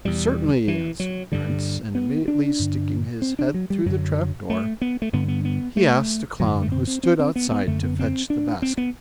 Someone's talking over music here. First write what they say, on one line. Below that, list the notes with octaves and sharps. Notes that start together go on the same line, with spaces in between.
"Certainly!" answered the Prince, and immediately sticking his head through the trapdoor, he asked a Clown who stood outside to fetch the basket.
E2 B2 G3
E3
F#3
G2 D3 G3
B3
D4
G2 D3
C4
D4
F#3
G3
F#2 D3 F#3
A3
B3
A3
G2 D3 B3
B3
B3
A3
F#2 D3 F#3
A3
C4
C4
C4
C4
B3
B3
F#2 D3 A3
B3
C4
D4
C4
B3